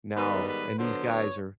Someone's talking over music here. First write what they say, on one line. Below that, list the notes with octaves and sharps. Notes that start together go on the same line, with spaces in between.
now, and these guys are
G#2 D#3 G3 B3 B4
B4
D3 F#3 B3 C5
C#5